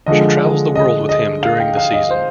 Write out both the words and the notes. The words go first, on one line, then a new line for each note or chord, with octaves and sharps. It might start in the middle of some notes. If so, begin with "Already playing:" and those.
She travels the world with him during the season.
D3 F3 G#3 D#5
D#5
D#5
F5
G5
F5
D#5
C5